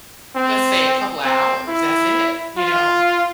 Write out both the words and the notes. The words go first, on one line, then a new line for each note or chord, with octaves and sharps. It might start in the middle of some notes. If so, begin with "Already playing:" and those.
let's say a couple hours, that's it, you know,
C4
C4
E4
F4